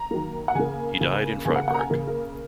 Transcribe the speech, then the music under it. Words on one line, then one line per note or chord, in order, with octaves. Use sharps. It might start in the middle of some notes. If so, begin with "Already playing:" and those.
He died in Freiburg.
Already playing: A#5
D#3 F#3 A#3
F#5
C#3 A#3 G#5
C#3 A#3
C#3 A#3 G#5
F#5
F#5
A#5
G#5
C#3 A#3 A#4
A#4